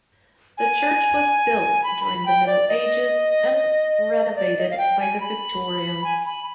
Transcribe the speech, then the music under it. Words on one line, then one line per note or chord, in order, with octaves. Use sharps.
The church was built during the Middle Ages and renovated by the Victorians.
G#5
B5
B5
G5
D5
D#5
D#5
D5
D#5
F5
G5
G#5
B5
G#5
B5